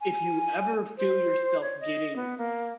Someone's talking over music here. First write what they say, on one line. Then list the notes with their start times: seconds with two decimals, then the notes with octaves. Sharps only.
if you ever feel yourself getting
0.01 G#5
0.98 C5
1.61 C#5
1.80 D#5
2.16 B3
2.38 A#3